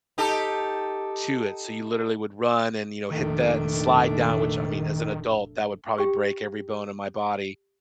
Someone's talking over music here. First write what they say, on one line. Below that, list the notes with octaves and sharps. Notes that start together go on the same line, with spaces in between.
to it, so you literally would run, and, you know, hit that, and slide down which, I mean, as an adult, that would probably break every bone in my body,
D#4 G4 A4
F1 A#2 D#3 A3 D4
G4 G5